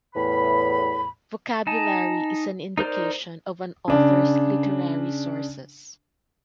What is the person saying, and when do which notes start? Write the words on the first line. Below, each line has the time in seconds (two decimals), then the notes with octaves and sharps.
Vocabulary is an indication of an author's literary sources.
0.15 E2 A2 B5
1.67 D#4 G#5 A5
2.78 D#4 A#4 C5 D5
3.88 C#3 D4